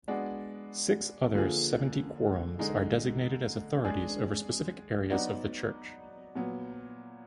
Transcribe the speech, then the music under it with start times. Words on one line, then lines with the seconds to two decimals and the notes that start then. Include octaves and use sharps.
Six other seventy quorums are designated as authorities over specific areas of the church.
0.08 G#3 B3 D4 F#4 D5
1.34 D3 F3 A#3 F4 G#4
2.59 D3 G#3 D#4
3.85 G#3 D4 G#4
5.10 F#3 B3 D#4 F#4 D5
6.35 A#2 F#3 B3